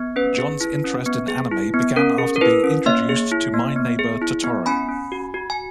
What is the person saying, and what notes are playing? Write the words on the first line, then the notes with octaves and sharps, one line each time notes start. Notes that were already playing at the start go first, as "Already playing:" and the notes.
John's interest in anime began after being introduced to My Neighbor Totoro.
Already playing: B3
C#4 B4
G#4
E4
C#4
B3
G#4
E4
B3
C#4 A#4
G#4
A#4
E4 B4
C#4
A#3 C#5 E5
G#4
E4
A#3
B3
G#4
E4
B3
C#4 G#5 B5
C#4
F#4
F#4
G#5